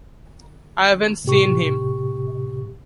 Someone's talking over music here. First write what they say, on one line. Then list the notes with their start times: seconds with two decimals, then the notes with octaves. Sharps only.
I haven't seen him.
1.25 A2 C3 G4 C#6